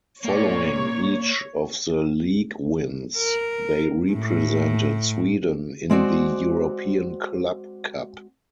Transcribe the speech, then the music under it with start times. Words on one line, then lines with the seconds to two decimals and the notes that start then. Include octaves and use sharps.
Following each of the league wins, they represented Sweden in the European Club Cup.
0.24 A#3 C#5 D5
3.17 A#4
4.12 A2
5.90 G#3 C4 F#4 D5